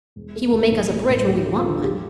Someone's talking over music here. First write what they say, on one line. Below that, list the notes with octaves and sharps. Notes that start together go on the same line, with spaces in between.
He will make us a bridge when we want one.
E1
A3
D2
A1
A1
A2
D2 G4
A3
F4
D3
E1 G4